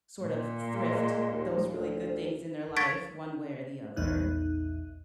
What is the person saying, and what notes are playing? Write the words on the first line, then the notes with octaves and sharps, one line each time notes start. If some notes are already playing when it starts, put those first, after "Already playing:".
sort of thrift those really good things in their life one way or the other.
A#2
G#3
D#2
D2
C#6 G#6 A6 B6 D7
A#1 E2 D#4 F#6